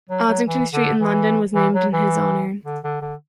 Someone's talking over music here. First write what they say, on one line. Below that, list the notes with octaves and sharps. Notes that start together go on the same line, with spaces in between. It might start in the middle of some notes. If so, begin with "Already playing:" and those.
Ossington Street in London was named in his honour.
F#3
F#3
E3
D3
E3
E3
F#3
E3
D3
D3
D3